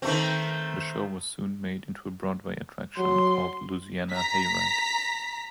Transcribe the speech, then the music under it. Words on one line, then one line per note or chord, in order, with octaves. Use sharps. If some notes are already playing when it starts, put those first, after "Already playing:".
The show was soon made into a Broadway attraction called "Louisiana Hayride".
D#3 A3 C4
F#3 C6
A#5 B6